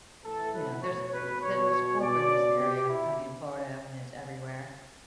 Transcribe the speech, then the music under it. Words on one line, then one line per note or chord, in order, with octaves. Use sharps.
you know, there's the the It's cool for this area. I mean, Florida, I mean, it's everywhere.
A2 E3 A4
B4
B2 C#5
B4
B2 C#5
C#5
B2 D5
B2 G4
E4